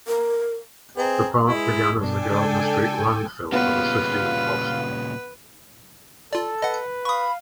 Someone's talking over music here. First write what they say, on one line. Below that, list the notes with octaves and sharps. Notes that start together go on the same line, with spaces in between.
The park began as the Gardner Street Landfill for the city of Boston.
A#4
C4 G#4 B4 D#5 A#5
G#3 E4
G2 B2 D4 A4 G5 G#5
C#3 G#3
A#2 C#3 G3 B3 F4 B4 F5
F4 A4 D5
B4 D#5 F#5
F5 B5 C#6 D#6